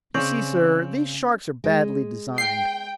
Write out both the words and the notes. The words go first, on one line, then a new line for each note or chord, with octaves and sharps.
You see, sir, these sharks are badly designed.
C#3 C4 C#4 D5
G#3
G5 C7